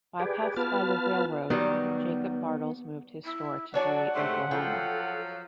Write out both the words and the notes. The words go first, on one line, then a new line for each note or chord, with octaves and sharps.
Bypassed by the railroad, Jacob Bartles moved his store to Dewey, Oklahoma.
G4 G#4 B4 D5
B3 F4 B4 A5 F6
D#3 F#3 G3 B3
E4
F#3 D4 C#5 D5 F#5 G#5 A5
G#2 C3 A3 C6
F3 F#3 F4 A4 G5